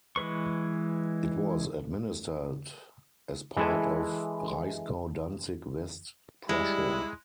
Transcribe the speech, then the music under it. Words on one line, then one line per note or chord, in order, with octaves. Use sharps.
It was administered as part of Reichsgau Danzig-West Prussia.
E3 G#3 B4 C#6
E3 G#3 E4 A4 G#5
G3 G#3 E4